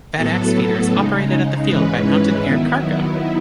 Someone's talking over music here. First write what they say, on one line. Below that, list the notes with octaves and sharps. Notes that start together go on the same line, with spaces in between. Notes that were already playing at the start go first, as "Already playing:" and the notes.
FedEx Feeder is operated at the field by Mountain Air Cargo.
A2 F#3 B3 A4
C#3 G#3 D#4
G#2 E3 G#3 C#4 B4
D#3 F#3 B3 E4